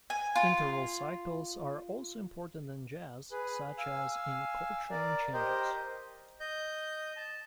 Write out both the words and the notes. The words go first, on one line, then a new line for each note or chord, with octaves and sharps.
Interval cycles are also important in jazz, such as in Coltrane changes.
G#5
F4
G#4 B4
F5 G#5 E6
A#4 D5
G4 A#4 C5 D#5
D#5 G6
A5